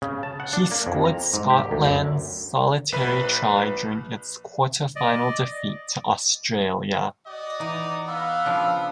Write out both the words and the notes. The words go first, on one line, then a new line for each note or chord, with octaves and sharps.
He scored Scotland's solitary try during its quarter-final defeat to Australia.
C#3
A5
F#5
D4
A#3
F2
A#5
G#2
G4
D2
F#2
A#1 B4 B5
D5 D#5
F#4 D5 D#5
E3 D#4 A#5
B3 F5 E6
C#3 F3 D4